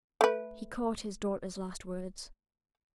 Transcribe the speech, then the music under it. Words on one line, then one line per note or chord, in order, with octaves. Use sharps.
He caught his daughter's last words.
A3 B4